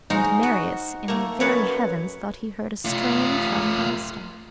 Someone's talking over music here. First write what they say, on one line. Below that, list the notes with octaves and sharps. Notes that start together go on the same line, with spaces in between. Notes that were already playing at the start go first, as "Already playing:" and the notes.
And Marius, in the very heavens, thought he heard a strain sung by a star.
G#3 D#4 F#4 C5 F5
F#4
A3 A#3
F#2 B4 C#5 F#5 A5
A3 F4